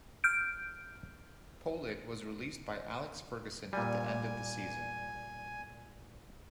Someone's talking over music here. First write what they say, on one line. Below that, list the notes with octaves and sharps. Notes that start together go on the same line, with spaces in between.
Pollitt was released by Alex Ferguson at the end of the season.
F6 G6 D7
A#2 G3 G#5